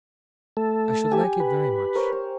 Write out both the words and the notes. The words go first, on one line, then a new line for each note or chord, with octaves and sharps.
'I should like it very much.
A3 A4
G4 G#5
B4
A#4 C5 C#5
C5